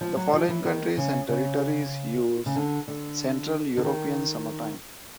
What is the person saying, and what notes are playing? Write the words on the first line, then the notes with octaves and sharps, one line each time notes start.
The following countries and territories use Central European Summer Time.
F3
F#3
F3
E3
D#3
C#3
C#3
C#3
D3
D3
D3
D#3